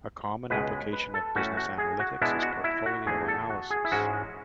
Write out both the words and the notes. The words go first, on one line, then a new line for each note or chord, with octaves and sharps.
A common application of business analytics is portfolio analysis.
C#2 B2 G#3 B4
B4
A4
A2 E3 A3 C#4 F#4
F#4
G#4
F#4
B2 G#3 B3 D4 E4
F#4
E4
F#4
E2 D3 A3 G#4
A4
F#4
G#4
E4
G#2 E3 G#3 C#4 F#4